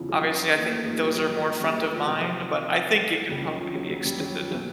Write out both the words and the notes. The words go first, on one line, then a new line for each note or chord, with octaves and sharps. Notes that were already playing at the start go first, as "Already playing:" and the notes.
obviously I think those are more front of mind, but I think it could probably be extended,
Already playing: E2 C#3 E3 F3 B3
F#3
A#3
A3
G#2 F3 A#3
G3
F#3
F3
F#3
G3
A3
F3
F2 C3 D#3 F#3
C#2 C#3 F3 G3
F#3
F3
F#3
F#3
G3
F#3
F3
F#3
B2